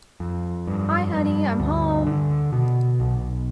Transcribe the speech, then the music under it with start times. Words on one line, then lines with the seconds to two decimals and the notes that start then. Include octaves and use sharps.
Hi Honey, I'm Home!
0.20 F2
0.67 G2
1.14 G2
1.60 D2
2.06 D3
2.52 B2
3.00 B1